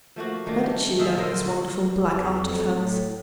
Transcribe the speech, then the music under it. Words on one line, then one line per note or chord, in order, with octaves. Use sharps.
"Where did she learn this wonderful black art of hers?"
F3 A3 A#3 F#4
D#3 A3 A#3 D4
G3
A#2 D#3 G#4 E5
D3 A#4 C5
B2 F#4
E2
F2
A2